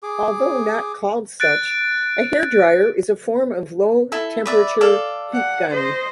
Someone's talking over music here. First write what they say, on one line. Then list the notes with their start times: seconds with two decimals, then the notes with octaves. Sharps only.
Although not called such, a hair dryer is a form of low-temperature heat gun.
0.03 G#4 D6
1.40 F#6 A6 D7
4.12 E4 A4
4.46 B4 D5 E5
4.81 A4 D5 F5
5.33 F#5
5.71 C5 D#5